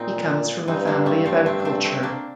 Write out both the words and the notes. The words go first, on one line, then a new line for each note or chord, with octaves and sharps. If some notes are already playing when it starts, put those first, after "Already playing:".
He comes from a family of agriculture.
Already playing: A#2 C4 D#4
G2 C4 D#4
A#3 D4
A3 C4
A3 C4
A3 C4
D4
A3 C4
A3 C4
A#3 D4